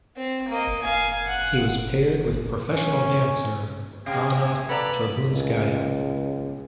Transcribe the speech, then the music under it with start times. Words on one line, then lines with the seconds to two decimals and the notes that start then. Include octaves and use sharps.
He was paired with professional dancer Anna Trebunskaya.
0.17 C4
0.49 A#3 D#5
0.83 F5 G#5
1.26 F#5 F#6
2.69 C#4
4.06 C3 F5 G5 G#5
4.69 A4 B4 D5 F5 F#5 A#5 B5
5.28 C#2